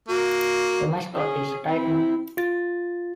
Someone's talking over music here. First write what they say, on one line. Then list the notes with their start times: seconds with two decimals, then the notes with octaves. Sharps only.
The mascot is a Titan.
0.08 A#3 F#4
1.13 C#4 G#4
1.65 C4 E4
2.37 F4 A6